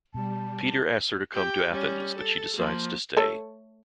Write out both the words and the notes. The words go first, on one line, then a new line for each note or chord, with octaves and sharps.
Peter asks her to come to Athens but she decides to stay.
B2 G3 A5
G4 G5
G3 C#4
A4
F3 A#3
A3 A4 C#5